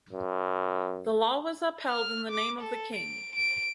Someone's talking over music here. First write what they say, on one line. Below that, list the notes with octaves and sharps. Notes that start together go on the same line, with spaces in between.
The law was upheld in the name of the King.
F#2
F6
D6
A4
D7
D7